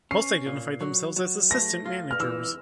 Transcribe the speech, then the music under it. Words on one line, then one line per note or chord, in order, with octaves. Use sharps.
Most identify themselves as assistant managers.
C#4 C7
A#2
F#3
F#3
A3 A#6
F4
F6
E3 E6